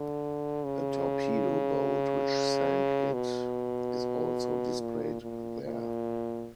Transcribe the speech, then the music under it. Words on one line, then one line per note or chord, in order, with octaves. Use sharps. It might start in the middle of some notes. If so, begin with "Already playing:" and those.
A torpedo boat which 'sank it' is also displayed there.
Already playing: D3
C#3
B2
A#2
A#2
A#2